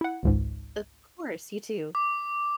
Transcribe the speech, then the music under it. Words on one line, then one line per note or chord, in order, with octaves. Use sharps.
Of course, you too.
E4 F#5
G#1 C#2 G#2
D6